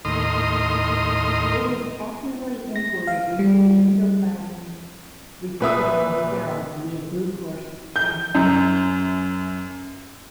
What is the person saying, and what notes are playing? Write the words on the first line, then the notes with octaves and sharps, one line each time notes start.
It is actively imported into the endoplasmic reticulum of cells via glucose transporters.
D#2 A2 D#5 C6 D#6 F6
A#6
F5
G3
A#2 B4 E5 D#6
G6
F#2